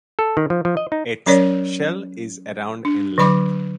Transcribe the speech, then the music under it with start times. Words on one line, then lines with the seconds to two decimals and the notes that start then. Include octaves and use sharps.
Its shell is around in length.
0.19 A4
0.37 D#3
0.50 F3
0.65 F3
0.77 D#5
0.92 D#4
1.26 F#3 C#4 A#4 C#5 D5
2.85 D4
3.18 D3 F#3 B5 D6